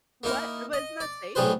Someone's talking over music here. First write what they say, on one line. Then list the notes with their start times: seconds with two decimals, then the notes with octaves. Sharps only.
What? Wasn't that safe?
0.23 A#3 D#4 E4 A#4
0.73 D#5
1.00 D5
1.35 B1 A2 G3 G#4 B4 C5